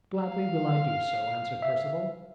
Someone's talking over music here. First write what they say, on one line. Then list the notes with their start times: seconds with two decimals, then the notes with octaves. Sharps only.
"Gladly will I do so," answered Perceval.
0.24 F5
1.62 E5